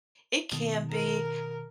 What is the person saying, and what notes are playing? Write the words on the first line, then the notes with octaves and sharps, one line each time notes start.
It can be,
B2 D#3 A5
A#4